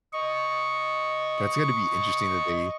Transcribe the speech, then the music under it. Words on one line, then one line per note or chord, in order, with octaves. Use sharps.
That's gonna be interesting that they
D#5 C#6